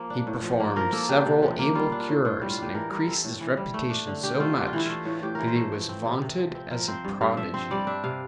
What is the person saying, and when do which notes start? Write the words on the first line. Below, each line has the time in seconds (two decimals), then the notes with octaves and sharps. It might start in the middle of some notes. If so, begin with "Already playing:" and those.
He performed several able cures, and increased his reputation so much that he was vaunted as a prodigy.
Already playing: F3 A#3
0.10 D4
0.27 A2
0.43 F3
0.60 A#3
0.76 F3 A#4
0.92 A#3 A4
1.09 D4 G4
1.26 C3
1.42 F3
1.59 A#3
1.75 G3 F4
1.92 D4
2.00 F4
2.09 A2
2.25 A2 F4
2.42 G3
2.50 F4
2.58 D4 G4
2.74 E3 A#4
2.91 G3 A#4
3.07 C4 A4
3.24 A2
3.41 E3
3.57 G3
3.74 A3
3.90 D4
4.07 D3
4.23 D3 G4
4.40 A3 F4
4.56 D4 G4
4.66 F4
4.73 E3 E4
4.86 A3 F4
5.05 A2
5.23 A2 G4
5.35 E3 A#4
5.47 C5
5.56 A3
5.72 F3
5.89 C4
6.05 C3
6.22 C3
6.38 F3
6.55 C4
6.71 F3 A#4
6.88 C4 C5
7.05 G2
7.21 G2 F5
7.37 F3 E5
7.54 C4 C5
7.71 G3 D5
7.87 D4 E5
8.04 C3 F5